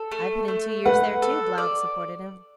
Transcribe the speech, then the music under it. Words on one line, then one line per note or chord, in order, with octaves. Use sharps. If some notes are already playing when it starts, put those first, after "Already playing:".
"I put in two years there, too," Blount supported him.
Already playing: A4
A3
A3
B4 F#5
A4
D5